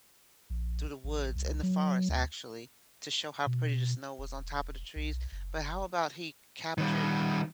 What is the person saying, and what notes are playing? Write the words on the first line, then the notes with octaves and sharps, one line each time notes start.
through the woods in the forest actually, to show how pretty the snow was on top of the trees, but how about he captured,
A#1
A1
C2
F#3
D2
B2
E1
B1
F#1
D#3 G3